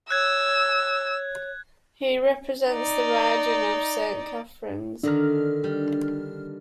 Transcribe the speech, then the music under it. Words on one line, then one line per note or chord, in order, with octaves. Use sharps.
He represents the riding of Saint Catharines.
C#5 E6 F#6 G#6
D#4 D5
D3 D#3 D4 A#5 F6
G3